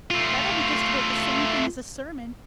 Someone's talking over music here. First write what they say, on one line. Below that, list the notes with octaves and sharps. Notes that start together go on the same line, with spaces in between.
That will be just about the same thing as a sermon.
A3 F4